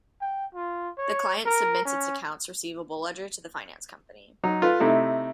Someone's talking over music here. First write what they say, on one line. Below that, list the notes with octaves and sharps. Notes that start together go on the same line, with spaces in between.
The client submits its accounts receivable ledger to the finance company.
G5
F4
C#5
A#4
C#4
F#3 D#4
F4 A4 B4
C3 A3 D#4 E4